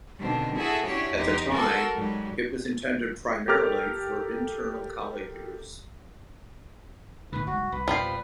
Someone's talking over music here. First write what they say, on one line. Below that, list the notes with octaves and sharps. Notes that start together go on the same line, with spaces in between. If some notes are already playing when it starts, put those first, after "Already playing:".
At the time, it was intended primarily for internal college use.
B2 D3 D#3 C4 D4
E4 F#4 G#4 A4 E5
C#4 D4 E4 F#4 G4 C#5
E2 D#4 G4 C5 A#5
F#4 A4 A#4 F#5 C6 E6
G#2 F#3 G3
G4 A4 A#4 D6 F6
A2 D3 D#3 B4
F#1 G#2 G3 F#4
C2 B4
F2 B2 F3 G3 C5